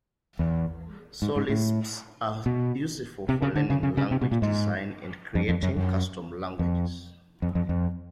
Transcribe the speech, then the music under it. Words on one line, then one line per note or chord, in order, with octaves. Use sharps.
So Lisps are useful for learning language design, and creating custom languages.
E2
G#2
G#2
A2
B2
C3
C#3
D3
C#3
C#3
C#3
C3
B2
A#2
G#2
F2
F2
F#2
F#2
F2
F2
F2
F2